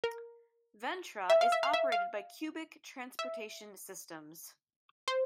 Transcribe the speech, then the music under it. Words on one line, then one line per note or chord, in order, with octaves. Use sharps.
Ventra is operated by Cubic Transportation Systems.
A#4
E5
F5
E5
F5
E5
F5
E5
C5